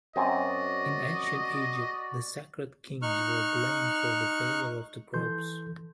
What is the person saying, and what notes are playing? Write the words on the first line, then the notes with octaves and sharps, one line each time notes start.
In ancient Egypt the sacred kings were blamed for the failure of the crops.
F#2 C4 F#4 D5 D#5 G#5
D#4 C#6 F6 F#6
E3 A4 C6 G6